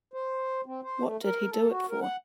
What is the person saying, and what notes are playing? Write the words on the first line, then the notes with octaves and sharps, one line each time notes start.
What did he do it for?
C5
C4
C5
A3
A#4
A4
F#4
A#4
F#5